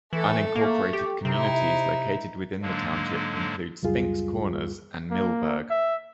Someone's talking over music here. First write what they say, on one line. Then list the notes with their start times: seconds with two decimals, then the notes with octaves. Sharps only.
Unincorporated communities located within the township include Spinks Corners and Millburg.
0.13 E3 A3 A4
0.55 A3 A#3
0.93 G4
1.25 C3 D#4 E4
2.62 G#2 D3 F#3 G#3 A#3 D4
3.83 C#2 F#2 G3 F4 G#4
5.11 A#3
5.70 E5